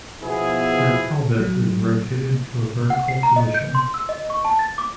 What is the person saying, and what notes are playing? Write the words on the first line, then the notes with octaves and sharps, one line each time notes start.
Their pelvis is rotated to a vertical position.
B2 F3 B3 E4 G#4
F#3
F#5
C7
A#5
D#5
G6
C6
E6
D#5
C#6
A5
A6
D6